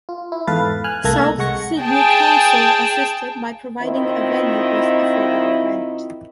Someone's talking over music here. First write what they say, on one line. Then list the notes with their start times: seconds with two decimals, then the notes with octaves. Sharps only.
South Sydney Council assisted by providing a venue with affordable rent.
0.09 F4
0.32 E4
0.47 E2 G#2 A4 B4 F5 A6
0.84 G#5 F6 F#6
1.04 C2 A3 A#3 A4 G#6 A#6
1.38 C2 G#3 F#5 C#6 A#6 C#7
1.81 G#4 G5 A5
3.82 D#3 C4 E4 F4 D#5